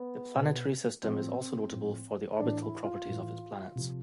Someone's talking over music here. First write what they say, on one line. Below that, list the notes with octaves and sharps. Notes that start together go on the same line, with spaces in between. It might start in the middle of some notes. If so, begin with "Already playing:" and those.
The planetary system is also notable for the orbital properties of its planets.
Already playing: B3
B2
A2 F3 C4
A2 F3
A2 E3 D4
E4
F4
A2 E3
C3 F3